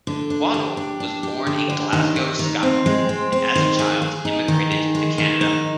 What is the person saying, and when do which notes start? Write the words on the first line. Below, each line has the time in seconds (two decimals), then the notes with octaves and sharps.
Waddell was born in Glasgow, Scotland, and as a child immigrated to Canada.
0.07 D3
0.30 D4
0.54 G4
0.77 D4
1.00 D4
1.23 G4
1.47 D3
1.70 D3
1.93 D#3
2.16 D#3
2.39 D#3
2.63 C4
2.86 G#3
3.09 C4
3.32 C4
3.55 D#3
3.79 G#4
4.02 G#4
4.25 D#4
4.48 D#3
4.71 G#4
4.95 G#3
5.18 D#3
5.41 D#4